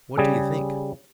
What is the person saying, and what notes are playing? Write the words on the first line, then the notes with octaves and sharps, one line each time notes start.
What do you think?
C#3 G3 G#4